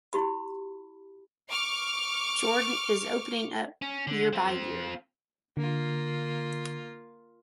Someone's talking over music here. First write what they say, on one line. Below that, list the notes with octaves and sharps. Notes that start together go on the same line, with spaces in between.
Jordan is opening up year by year.
E4 F#4 G4 B5
C#6 D6 F6
C#4
D3
C4 F4
D3 A#3 F4